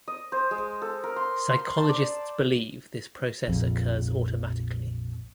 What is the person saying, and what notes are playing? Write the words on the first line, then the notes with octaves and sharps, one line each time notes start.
Psychologists believe this process occurs automatically.
D#5
C5
G#3
A4
A#4
C6
C6
A5
D5
A#1 F2